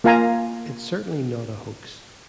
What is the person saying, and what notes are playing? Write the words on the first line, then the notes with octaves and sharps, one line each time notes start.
It's certainly not a hoax.
A#3 F4 F5 G#5 A#5